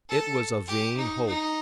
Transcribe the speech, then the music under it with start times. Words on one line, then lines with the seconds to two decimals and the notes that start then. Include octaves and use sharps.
It was a vain hope.
0.09 A4
0.68 G4
0.97 D#4
1.26 D#4